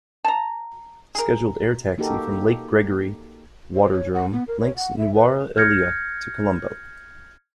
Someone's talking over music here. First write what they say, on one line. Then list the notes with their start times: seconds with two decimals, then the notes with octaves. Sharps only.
Scheduled air taxi from Lake Gregory Waterdrome links Nuwara Eliya to Colombo.
0.24 A5 A#5
1.15 G#4 A#4
1.98 A#3 D#4 F#4 G4 A4 A#4
3.74 C5
3.92 C#5
4.14 F#5
4.32 B3
4.48 A#4
4.60 C#5
4.76 F#5
4.98 E5
5.14 B4
5.57 F6 G6 G#6 A#6 C#7